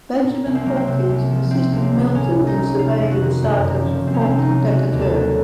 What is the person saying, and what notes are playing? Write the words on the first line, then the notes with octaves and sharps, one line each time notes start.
Benjamin Hawkins assisted Milton in surveying the site of Fort Decatur.
A#2
C2
C4
F#3 A#3
C4
C3 C4
C2
F3
C3 C4
C#2
C4
D#3
A2 C#4
A#1
D#4
F#3
C3 F4
F2
F#4
D#3
F#2
F#1
F3
C3 C4
C#4
C4
C2
D#4
F#3
C#3 F#4
D#2
A4
F#3